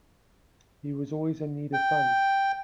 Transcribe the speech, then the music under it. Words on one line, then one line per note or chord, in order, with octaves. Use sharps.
He was always in need of funds.
G5